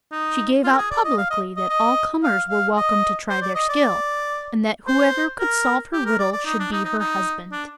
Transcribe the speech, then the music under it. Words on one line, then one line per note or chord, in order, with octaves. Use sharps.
She gave out publicly that all comers were welcome to try their skill, and that whoever could solve her riddle should be her husband.
D#4
F4
A#4
G#4
D5
D#5
F5
D#5
D#5
D#5
F5
F5
D#5
C5
D5
D#5
D5
C5
A#4
G4
A#4
D5
D5
D#4
D4
D#4
D#4
D#4
D4